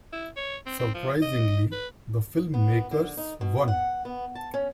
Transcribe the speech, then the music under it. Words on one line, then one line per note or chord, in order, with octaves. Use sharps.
Surprisingly, the filmmakers won.
E4
C#5
C4
C4
F3
D#5
B4
B3
D3
D#4
B2
F#5
B3
A5
C#4